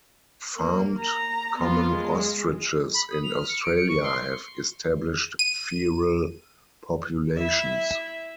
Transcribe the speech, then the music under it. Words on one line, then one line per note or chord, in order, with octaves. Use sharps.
Farmed common ostriches in Australia have established feral populations.
A#3
A#5
B3 F4
G#3
B5
D#6
F7
F6
C#7
D7
C#7
C#6
C6
D#7
E4 E5